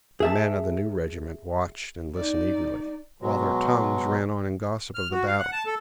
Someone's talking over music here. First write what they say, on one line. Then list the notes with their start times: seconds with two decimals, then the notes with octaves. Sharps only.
The men of the new regiment watched and listened eagerly, while their tongues ran on in gossip of the battle.
0.20 G#4 E5 A5
2.16 D#4 D5
3.22 B2 F#3 G#3
4.95 F6
5.11 F#4
5.27 F5
5.39 F#5
5.52 A5
5.66 A4